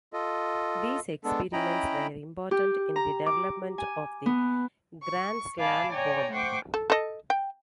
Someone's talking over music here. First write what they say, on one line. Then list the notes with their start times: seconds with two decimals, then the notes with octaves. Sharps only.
These experiments were important in the development of the Grand Slam bomb.
0.13 F4 A4 D#5
1.24 G#3 B3 D4 A4
1.53 C#4 E4 D#5 G5 A#5 B5
2.51 G4
2.96 A#5
3.26 D6
3.78 G#5
4.26 B3
5.02 C#6
5.59 D5 F5 G#5 A5 B5 D6
5.90 C#5 D5 G5 G#5 A#5
6.31 A3 C5 F#5 G5 C#6 D6
6.74 A4
6.90 A4 D#5
7.30 G5